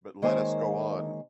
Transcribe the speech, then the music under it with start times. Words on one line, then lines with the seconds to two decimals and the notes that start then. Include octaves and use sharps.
But let us go on.
0.22 D#3 G#3 A#3 C5 C#5 G#5